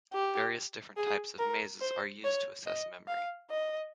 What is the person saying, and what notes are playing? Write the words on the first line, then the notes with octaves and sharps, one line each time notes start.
Various different types of mazes are used to assess memory.
G4
G#4
A#4
C5
C#5
D#5
F5
D#5